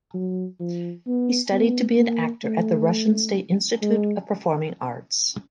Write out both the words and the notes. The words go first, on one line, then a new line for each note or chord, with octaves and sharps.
He studied to be an actor at the "Russian State Institute of Performing Arts".
F#3
F3
B3
B3
A#3
A3
G#3